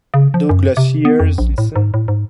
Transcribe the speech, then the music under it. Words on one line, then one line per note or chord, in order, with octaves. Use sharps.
Do Glaciers Listen?
C#3
F3
F#2
C3
B3
F2
A#1
A2
G#2
A2
G#2